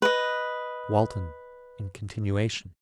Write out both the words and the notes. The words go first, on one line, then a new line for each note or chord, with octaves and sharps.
Walton, in continuation.
B4 D#5